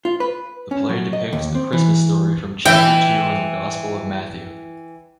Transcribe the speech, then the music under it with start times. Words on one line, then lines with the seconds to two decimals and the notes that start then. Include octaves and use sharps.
The play depicts the Christmas story from chapter two in the Gospel of Matthew.
0.05 F4
0.20 B4
0.71 C#4
0.89 F#3
1.13 D#5
1.33 D#2
1.55 C4
1.73 E3
2.65 E3 E5 G5